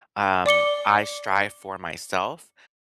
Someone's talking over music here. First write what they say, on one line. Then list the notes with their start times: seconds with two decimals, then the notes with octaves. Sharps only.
um, I strive for myself.
0.46 D5 D6 C#7 G7